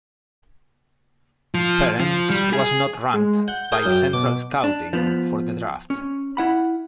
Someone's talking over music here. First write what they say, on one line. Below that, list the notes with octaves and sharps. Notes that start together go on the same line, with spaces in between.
Ference was not ranked by Central Scouting for the draft.
F3
F3
G3
G#4
G#3
F#5 G6
G#4 A#4 G6
F#2 G5
B2 D6
D4
F3 B3
C#4
E4 F#5 B5